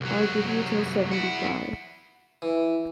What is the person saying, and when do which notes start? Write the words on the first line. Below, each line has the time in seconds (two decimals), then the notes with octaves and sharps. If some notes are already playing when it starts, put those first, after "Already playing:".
I’ll give you till seventy-five.
0.01 C2 F#3
1.11 E4 F#5
2.42 E3